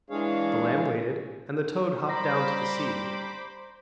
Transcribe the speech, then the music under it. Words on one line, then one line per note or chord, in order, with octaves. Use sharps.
The lamb waited and the toad hopped down to the sea.
E3 G#3 D4 G#4 C#5 F5
G3 C5 A#5 B5 D6 A#6